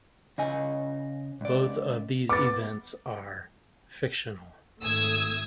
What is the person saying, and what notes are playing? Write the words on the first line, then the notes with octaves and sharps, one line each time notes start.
Both of these events are fictional.
C#3 D#5 G#5
C#2 D5
B3 D6 A6
G#1 A3 D#6 E6 G#6